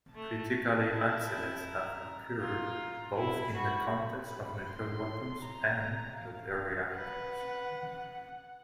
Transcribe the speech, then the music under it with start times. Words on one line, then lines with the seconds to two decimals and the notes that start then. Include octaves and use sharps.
Criticality accidents have occurred both in the context of nuclear weapons and nuclear reactors.
0.14 A3 A5
0.90 E4
1.65 A#5
2.41 F4 A#5
3.16 E4 B5
3.54 F#4
3.92 B5
4.67 C6
5.43 A#5
6.18 F5
6.94 B4 F#5